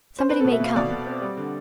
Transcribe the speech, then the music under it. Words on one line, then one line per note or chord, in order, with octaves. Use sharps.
Somebody may come.
C5
C4 B4
A4
B2
E5
B2 F5
B2 D5
B2
C4
G3
D3